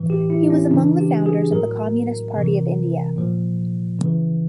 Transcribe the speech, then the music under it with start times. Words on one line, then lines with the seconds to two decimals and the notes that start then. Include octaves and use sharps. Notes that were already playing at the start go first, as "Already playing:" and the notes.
He was among the founders of the Communist Party of India.
Already playing: A2 E3
0.10 G4
0.30 E4
0.50 C#4
0.71 C#3 E3 D4
0.99 G4
1.26 G#4
1.52 A2 F#3 A#4
2.35 C3 E3
3.16 A#2 F3
3.99 C#3 E3